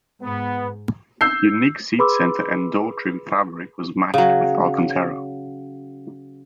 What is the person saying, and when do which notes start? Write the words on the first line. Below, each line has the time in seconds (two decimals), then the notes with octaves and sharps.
Unique seat center and door trim fabric was matched with Alcantara.
0.22 G#2 B3
1.21 E6 G6 C7
1.99 G#4 B4 B5 C6 D6 E6
4.14 C#3 F#3